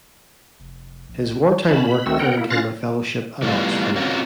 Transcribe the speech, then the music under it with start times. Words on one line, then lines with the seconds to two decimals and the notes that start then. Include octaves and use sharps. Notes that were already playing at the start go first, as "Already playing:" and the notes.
His war time work earned him a fellowship at Oxford.
0.60 F1
1.09 A#1
1.68 C#4 A5 B5
1.87 B5
2.06 D2 D#3 A3 C4 F#4 E6
2.19 B3 A#4 F#5 G5
2.37 A#3 E4
2.50 C#4 F4 F5 F#6 A6 A#6
3.42 E3 G3 A3 B3 D#4 F4
3.96 A#3 C4 C#4 F4 F#4